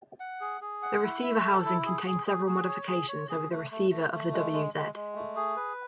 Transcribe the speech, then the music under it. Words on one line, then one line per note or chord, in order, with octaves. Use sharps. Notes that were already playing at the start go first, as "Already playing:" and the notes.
The receiver housing contains several modifications over the receiver of the wz.
F#5
G#4
G#4
F#5
E4
E5
A4
E4
G#4
G#4
G#4
G#4
C#5
G#4
C#5
G#4
A3
A3
A3
A3
G#3
G#3
G#3
G#3
A3
G#4
B4